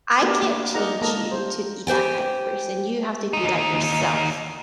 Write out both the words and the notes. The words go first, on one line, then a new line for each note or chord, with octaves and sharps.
I can't change you to be that kind of person, you have to do that yourself.
A3 B3 D4 F#4 G4 A#4
A#3
D#4 G#4 A#4 D5 F#5 A#5
G#3 A#3 A4 A#4 D#5 A#5
G3 C5
G4 C5 G5 G#5
D#2 D#4